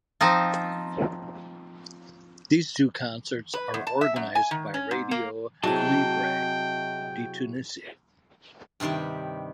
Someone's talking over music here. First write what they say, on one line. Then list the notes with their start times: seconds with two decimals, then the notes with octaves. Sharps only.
These two concerts are organized by Radio Libre de Tunisie.
0.21 F3 C4 D#4 F4
3.54 B4
3.74 E2
3.87 A5
4.01 E5
4.16 F#2
4.35 G#5
4.51 D#3
4.74 C#4
4.91 G#2
5.11 A#3
5.63 C3 F#3 E4 F#4 G#4 D#5 G5 A5
8.80 G2 C3 D#3 G3 G4